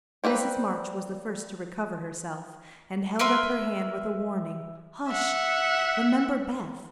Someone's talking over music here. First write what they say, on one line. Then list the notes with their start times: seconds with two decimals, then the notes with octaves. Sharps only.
Mrs. March was the first to recover herself, and held up her hand with a warning, "Hush! Remember Beth."
0.24 G3 A#3 C4 B4
3.19 A#4 B4 E5 C6
5.09 E5 F#5